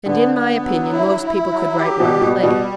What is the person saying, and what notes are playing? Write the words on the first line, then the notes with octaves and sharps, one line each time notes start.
And, in my opinion, most people could write one play.
D3 B3
B3
F#3
E4
E4
F#3
G4
B2
G3
B2
G3
B2